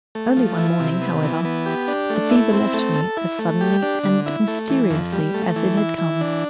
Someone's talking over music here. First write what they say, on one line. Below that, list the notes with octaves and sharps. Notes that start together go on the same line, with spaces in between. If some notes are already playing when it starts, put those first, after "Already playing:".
Early one morning, however, the fever left me as suddenly and mysteriously as it had come.
A3
F3
E4
C3
B3
E3
B3
G4
D4
A3
E4
C4
A3
A4
E4
A3
G4
D4
D3
E4
A3
E3
F2
G3
A3
E3
E4
E3
D4